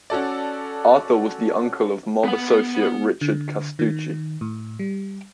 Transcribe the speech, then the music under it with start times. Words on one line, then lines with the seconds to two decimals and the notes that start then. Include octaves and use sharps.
Arthur was the uncle of mob associate Richard Castucci.
0.10 C#4 F#4 A4 D5
2.24 B3 F#5
3.21 D3
3.79 D#3
4.41 A2
4.79 G3